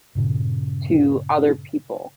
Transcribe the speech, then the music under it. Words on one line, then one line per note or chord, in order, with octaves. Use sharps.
to other people
G2 A#2 C#3